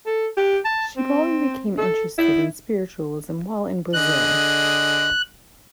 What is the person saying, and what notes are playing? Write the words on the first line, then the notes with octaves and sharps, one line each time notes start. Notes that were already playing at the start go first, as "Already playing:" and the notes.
She probably became interested in spiritualism while in Brazil.
A4
G4
A5
C4
A4
E4
D3 G#4 D#5 F#6